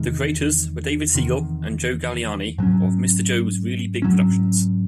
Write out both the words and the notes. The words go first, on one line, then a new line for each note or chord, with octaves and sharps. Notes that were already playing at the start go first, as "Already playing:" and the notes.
The creators were David Siegel and Joe Galliani of Mr. Joe's Really Big Productions.
Already playing: E2 C3 D#3 G#3
E2 C3 D#3
G#2 F#3 C#4
G#2 F#3 C#4